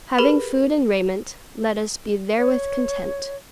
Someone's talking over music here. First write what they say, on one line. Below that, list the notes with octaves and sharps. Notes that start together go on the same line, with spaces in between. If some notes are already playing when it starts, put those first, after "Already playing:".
"Having food and raiment, let us be therewith content."
G4 G#4 A#4 B4 B5
C#5